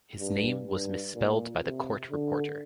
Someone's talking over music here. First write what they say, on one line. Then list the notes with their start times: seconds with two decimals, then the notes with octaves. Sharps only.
His name was misspelled by the court reporter.
0.20 G2
0.67 G2
1.15 A#2
1.63 C3
2.11 D3